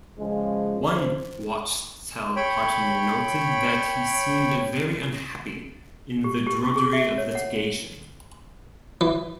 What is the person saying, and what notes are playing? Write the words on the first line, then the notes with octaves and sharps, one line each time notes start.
One Wachtell partner noted that he seemed very unhappy in the drudgery of litigation.
C#3 F3 G#3
C5
C#5 G5 B5
G4
G4
C#6
G#4
E5
C#5
F#5
E3